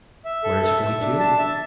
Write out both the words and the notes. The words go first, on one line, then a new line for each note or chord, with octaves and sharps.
Where is he going to?
E5
A4
E5
E5
D4
A5
E5